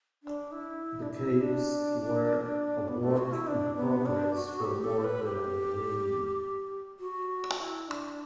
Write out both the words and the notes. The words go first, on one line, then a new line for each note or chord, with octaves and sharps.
The caves were a work in progress for more than a millennium.
D4
E4
D4
E4
D4
B3
A3
F#4
E4
D4
B3
D4
F#4
A4
G4
A4
B4
G4
F#4
E4
D4